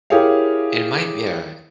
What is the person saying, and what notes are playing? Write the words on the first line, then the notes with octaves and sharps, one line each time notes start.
It might be a
E4 G4 G#4 A#4 C#5 F5